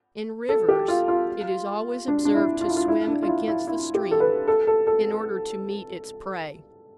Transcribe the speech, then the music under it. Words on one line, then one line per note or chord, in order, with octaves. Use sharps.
In rivers it is always observed to swim against the stream, in order to meet its prey.
A4
G4
F4
F4
D4
D4
E4
F4
E4
F4
E4
D4
F4
E4
E4
E4
G4
A4
B4
A4
A4
A4